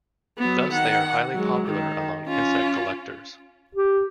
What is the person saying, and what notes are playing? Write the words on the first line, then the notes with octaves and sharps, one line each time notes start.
Thus, they are highly popular among insect collectors.
F#3 B3
D#3 F#5
F#3 G#3
D#3
C#4 F4
G4